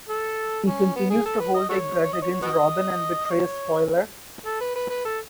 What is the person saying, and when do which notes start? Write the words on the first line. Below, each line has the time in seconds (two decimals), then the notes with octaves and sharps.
He continues to hold a grudge against Robin and betrays Spoiler.
0.09 A4
0.67 C#4
0.96 B3
1.10 G#4
1.25 A4
1.40 B4
1.54 D#5
1.69 F#4 A4 C#5
2.04 C#5
2.13 D#5
2.22 C#5
2.33 C#5
2.42 F#4 B4 D#5
3.25 D#5
3.30 C#5
4.46 A4
4.60 B4
4.75 B4
4.89 B4
5.05 A4